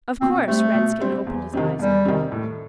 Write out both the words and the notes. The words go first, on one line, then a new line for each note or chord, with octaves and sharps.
'Of course!' Redskin opened his eyes at her.
B2 C4
G3 A3 C4
B2
G3 C4
E2
C3 D#3
E2 G3
C3 D#3
A2